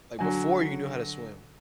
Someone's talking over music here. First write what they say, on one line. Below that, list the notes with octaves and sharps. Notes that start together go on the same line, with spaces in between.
like, before you knew how to swim,
D3 F#3 F#4 G#5